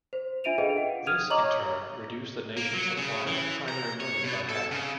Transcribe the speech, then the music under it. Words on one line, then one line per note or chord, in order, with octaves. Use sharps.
This, in turn, reduced the nation's supply of primary money by half.
C5
D4 F4 E5 D7 D#7 F7
G#4 A4 B4 D#5 F5 G5
F#5
D#6 F6 G#6 D#7 F7
C#5 D#5 A#5 C#6 D6 F#7
A#3
F#3
C#3
E3
A#5
C#5
B2
A4
C#3